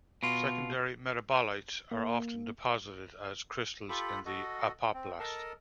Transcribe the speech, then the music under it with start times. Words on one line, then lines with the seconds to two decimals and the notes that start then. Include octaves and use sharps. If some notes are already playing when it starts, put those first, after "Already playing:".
Secondary metabolites are often deposited as crystals in the apoplast.
0.23 B2 F4
1.91 A#3
3.89 F4 G4 A4 B5
4.26 F#4 A4 D#5
4.94 C4
5.19 A4 A#4 D#5 A5